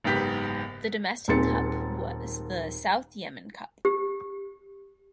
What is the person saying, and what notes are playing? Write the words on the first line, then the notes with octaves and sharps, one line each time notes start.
The domestic cup was the South Yemen Cup.
F#1 G#2 B3 G4 B6
D#1 D#2 C4 G#4 A6 C#7
G4